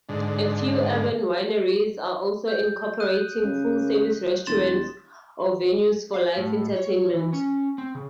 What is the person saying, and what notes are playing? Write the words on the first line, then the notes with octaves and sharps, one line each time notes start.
A few urban wineries are also incorporating full-service restaurants or venues for live entertainment.
G#2 D3
G6
D#6 F#6 D#7
C#3
E1 C6 A6 E7
F5
A2
C#5
E3
C#4
C4
C#3